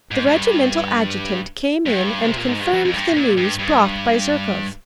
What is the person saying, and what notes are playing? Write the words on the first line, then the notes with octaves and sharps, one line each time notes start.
The regimental adjutant came in and confirmed the news brought by Zherkov.
G#2
G#2
G2
G2
C3
A#2
G#2
G2
F2
F2
G2
A#2
G2
G2